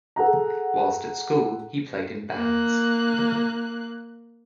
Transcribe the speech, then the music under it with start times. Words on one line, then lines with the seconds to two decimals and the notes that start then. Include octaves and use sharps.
Whilst at school he played in bands.
0.16 G#4 A4 F#5 A#5
2.35 A#3 F#6